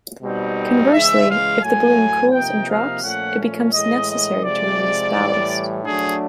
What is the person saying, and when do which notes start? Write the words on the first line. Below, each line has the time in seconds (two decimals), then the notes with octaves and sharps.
Conversely, if the balloon cools and drops, it becomes necessary to release ballast.
0.22 B2 G3 C4 D#4
0.92 C#3 E3 G#3 E5
1.28 F5
1.62 A2 F#3 A3 G#5
2.32 C3 F3 A#3 D#4 G5
2.68 F5
3.03 A#2 F3 A3 C#4 F#5
3.73 A2 E3 G#3 D#5
4.09 D#5
4.43 C3 F3 G#3 D5
5.13 A2 E3 G3
5.83 F#3 A3 D4 G#4